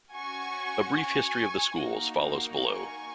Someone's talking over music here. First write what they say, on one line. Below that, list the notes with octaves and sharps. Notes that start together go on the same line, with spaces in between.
A brief history of the schools follows below.
F#4 G#5 C#6
C#4
G#5 C#6
A#3 D#4 F#4
G#5 C#6